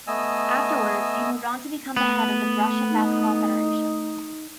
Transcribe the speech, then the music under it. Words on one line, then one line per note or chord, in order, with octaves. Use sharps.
Afterwards, he moved on to become the head of the Russian Basketball Federation.
A3 B3 D#5 G#5 E6
A3 B3
D#4